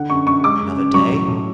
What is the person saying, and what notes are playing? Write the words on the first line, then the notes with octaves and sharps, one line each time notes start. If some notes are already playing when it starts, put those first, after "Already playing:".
Another day?
Already playing: D3 F#5
F#2 C#6
F#2 C#6
G#3 D6
C#3
C#3
F#3 C#6
A2
A2